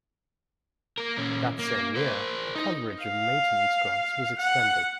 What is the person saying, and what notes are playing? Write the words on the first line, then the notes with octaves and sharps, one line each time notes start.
That same year, the coverage of maintenance grants was extended.
A#3 A#4
A#2 C#4
A#3
A#4 C5
D#4
F5
F#5